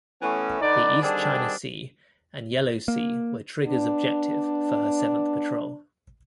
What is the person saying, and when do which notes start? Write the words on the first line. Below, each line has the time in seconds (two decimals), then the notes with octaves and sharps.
The East China Sea and Yellow Sea were "Trigger"'s objective for her seventh patrol.
0.22 E3 A3 B3 C#4
0.61 D3 D#4 B4 D5
1.02 D3 D#3 G3 C4 D4 G#4
2.88 A#3
3.65 B3 D4